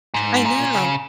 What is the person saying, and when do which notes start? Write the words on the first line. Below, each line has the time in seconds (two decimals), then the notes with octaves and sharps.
I know,
0.14 G#2
0.45 A#2
0.74 C#3